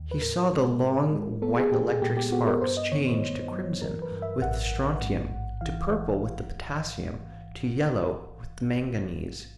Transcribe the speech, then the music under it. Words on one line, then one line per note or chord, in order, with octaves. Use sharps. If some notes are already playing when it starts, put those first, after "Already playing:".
He saw the long white electric sparks change to crimson with the strontium, to purple with the potassium, to yellow with the manganese.
Already playing: D#2
B4
A2 A#4
G#3
A2
G#3
B3 A4
G#4
A#2 G4
G#4
A#2 G4
G4
B3 F#4
A#4
G2 C5
D#5
D#3 C#5
C5
G2
F#3
E3 A#4
B4
G2
E5
A1 F#5
A1
G#2
A1
E3 F5
E3